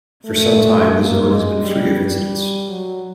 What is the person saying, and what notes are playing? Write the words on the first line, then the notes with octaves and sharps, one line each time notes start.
For some time the zone has been free of incidents.
A3
A#3
G#3
G3
G3
F#3